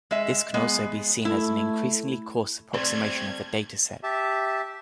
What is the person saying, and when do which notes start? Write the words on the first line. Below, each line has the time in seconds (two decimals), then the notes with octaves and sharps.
This can also be seen as an increasingly coarse approximation of the data set.
0.11 G#3 E5
0.54 G#3 B3
1.25 A3 E4
2.74 G3 A3 C4 D5 G#6
4.03 G4 E5 A5